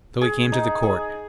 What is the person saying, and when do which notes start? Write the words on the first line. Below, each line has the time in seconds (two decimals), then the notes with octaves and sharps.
So he came to the court ...
0.21 G#4
0.52 D#4
0.83 G#4